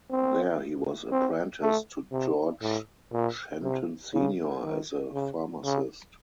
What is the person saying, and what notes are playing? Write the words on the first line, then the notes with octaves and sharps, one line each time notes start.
There he was apprenticed to George Shenton Senior as a pharmacist.
C4
C4
A3
C3
A2
A#2
C3
C#3
D#3
C#3
C#3